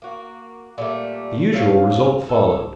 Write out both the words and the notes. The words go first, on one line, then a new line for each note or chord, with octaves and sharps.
The usual result followed.
A#3 F#4
A#2 G3 A3
C3 F#3 F4 F5
A4 C#5